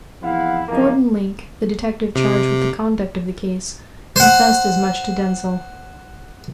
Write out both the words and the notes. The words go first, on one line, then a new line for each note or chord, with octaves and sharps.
Gordon Link, the detective charged with the conduct of the case, confessed as much to Denzil.
E2 F3 C4 E4 F5 F#5
F#1 F2 F3 A#3 D#4 A#4
C3
C5 F#5